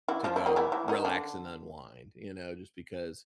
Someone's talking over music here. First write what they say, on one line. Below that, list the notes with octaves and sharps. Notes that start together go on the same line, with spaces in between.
to go relax and unwind, you know? Just because
E3 E4
F3 F4
E3 E4
D#3 D#4
E3 E4
E3 E4
D#3 D#4
D3 D4